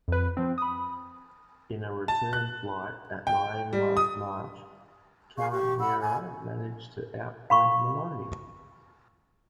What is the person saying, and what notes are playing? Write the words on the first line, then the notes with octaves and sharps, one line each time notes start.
In a return fight, at Miami last March, Carnera managed to outpoint Maloney.
F2 B4
F3 C4
B5 D#6
A5
F#6
G5
G3
D#6
G#4 F5 G#5 C#6
G4 C#6
F#5 B5 E6
G#5
F5 B5 C#6